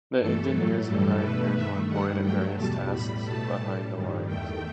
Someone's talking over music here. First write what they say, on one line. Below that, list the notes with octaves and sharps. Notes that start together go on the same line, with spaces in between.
The engineers and pioneers were employed at various tasks behind the lines.
G2 E3 A3 A4
A2 F#3 A3 A4
G2 E3 G3 A4
B2 A3 B4
G2 D#3 A3 E5
G2 D#3 G3 F#5
G2 F#3 A3 G5
E2 B2 G3 A5
A2 G3 B5
B2 A3 A5
A2 G3
G2 D#3 G3
E2 D#3 A3 G5